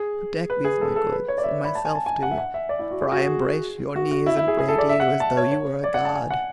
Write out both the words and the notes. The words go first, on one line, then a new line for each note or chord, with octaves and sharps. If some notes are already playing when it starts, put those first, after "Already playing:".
Protect these my goods, and myself too, for I embrace your knees and pray to you as though you were a god.
Already playing: G#4
B4
G#4
A4
A4
B4
C#5
D5
E5
B5
A5
G#5
A5
G#5
F#5
E5
F#5
E5
D5
E4
F#4
G#4
F#4
G#4
F#4
F#4
E4
E4
G#4
G#4
A4
D5
E5
F#5
A5
C#5
C#5
D5
F#5
A5
G#5
F#5